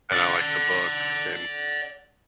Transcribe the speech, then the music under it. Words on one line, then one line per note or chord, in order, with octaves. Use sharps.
and I liked the book and
D5 F#5